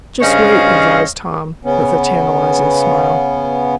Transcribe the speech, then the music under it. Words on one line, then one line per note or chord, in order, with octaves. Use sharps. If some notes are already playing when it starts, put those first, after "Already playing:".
"Just wait," advised Tom, with a tantalizing smile.
G2 C#3 C5 C#5 D#5 F5
C#3 B3 C#4